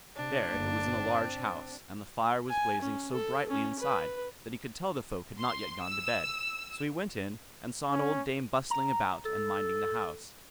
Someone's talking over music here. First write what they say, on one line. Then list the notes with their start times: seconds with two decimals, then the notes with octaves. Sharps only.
There it was in a large house, and the fire was blazing so brightly inside, that he could tell the folk had not yet gone to bed; so he went in and saw an old dame bustling about and minding the house.
0.16 C3 D4
0.49 G1 A#3
0.91 C4
2.49 G#5
2.81 C#4
3.12 A4
3.49 C#4
3.80 B4
5.39 C6
5.83 E6
7.90 C#4
8.70 A#5
9.26 A4